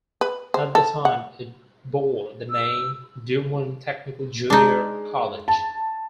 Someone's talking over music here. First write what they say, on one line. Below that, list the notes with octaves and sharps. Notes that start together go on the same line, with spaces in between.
At the time, it bore the name Doowon Technical Junior College.
B4
C5
A4
F#5
E6
G#3 D4 D#4
A5